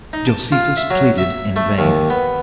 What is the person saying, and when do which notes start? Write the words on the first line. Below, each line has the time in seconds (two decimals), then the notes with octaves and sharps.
Josephus pleaded in vain.
0.13 D#4
0.27 A5
0.52 F4
0.77 E5
0.90 F#3
1.18 E5
1.56 A3
1.78 D#2
2.10 B3